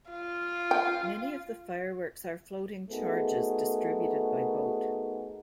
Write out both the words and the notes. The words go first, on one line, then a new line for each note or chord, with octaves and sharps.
Many of the fireworks are floating charges distributed by boat.
F4
G5
A3 B3 D#4 F#4 G#4 A#4